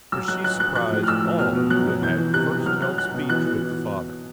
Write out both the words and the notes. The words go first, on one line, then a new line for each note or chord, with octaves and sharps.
For she surprised all who had first held speech with the father.
F#3 E6
F#3 F#6
F#3 F#6
F#3 F#6
F3 F#6
A2
F6
A2 E6
F3
B2 F6
B2
F#3 F#6
B2
E3 G6
E3
C3 F#6
E3
F#3 F6
F#3 F#6
F#3 F#6
B2
E3 F#6
E3
E3